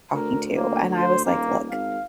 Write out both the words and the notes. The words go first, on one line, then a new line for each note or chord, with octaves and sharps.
talking to, and I was like, "Look,
D2 A#4
A#3
C5
D#1 A#3
G#1 F5